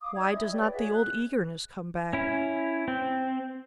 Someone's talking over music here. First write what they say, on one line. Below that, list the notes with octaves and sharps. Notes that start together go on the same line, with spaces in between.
Why does not the old eagerness come back?
F5 D6 D#6
D#4 D5 D#6 G#6
C#4 E4 D#5
G4 B4 C#5 D5
F#4 G#4 E5
F#6
C#4 E4
C4